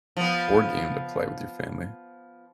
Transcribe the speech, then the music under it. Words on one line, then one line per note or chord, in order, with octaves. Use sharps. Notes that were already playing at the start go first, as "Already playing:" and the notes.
board game to play with your family?
F3 B3